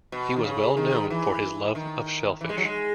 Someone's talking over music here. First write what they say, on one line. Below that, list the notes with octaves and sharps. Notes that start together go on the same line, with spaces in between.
He was well known for his love of shellfish.
B2
D#3
C#3
D#3
E3
D#3
E3
G#3
F#3
G#3